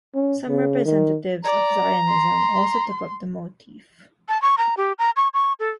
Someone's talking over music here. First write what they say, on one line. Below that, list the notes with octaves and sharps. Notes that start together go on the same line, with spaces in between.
Some representatives of Zionism also took up the motif.
C#4
C#3
D#3
D5 A#5
C6
A5
C#6
A#5
G4
A#5
C#6
C#6
A4